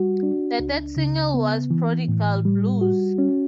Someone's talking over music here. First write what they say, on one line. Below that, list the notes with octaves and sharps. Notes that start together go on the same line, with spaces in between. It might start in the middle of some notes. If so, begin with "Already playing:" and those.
The third single was "Prodigal Blues".
Already playing: G3 F#4
D4
C#2
C#3
B3
E3
A2
G3
F#4
C#4